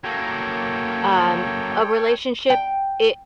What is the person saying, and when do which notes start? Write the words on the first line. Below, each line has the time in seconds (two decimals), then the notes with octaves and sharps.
um, a relationship, it
0.04 F#3 A#3 A4 C#5 G5
2.50 G5